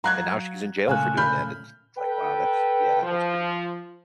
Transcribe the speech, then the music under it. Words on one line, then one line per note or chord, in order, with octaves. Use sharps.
and now she's in jail for doing that, it's like, wow, that's yeah, that's pretty
F#3 F5 A#5 F#6 G#6
A#2 C#3 A3 F5 G#5 F#6
B5 F6 G6
A4 B4 G5
F3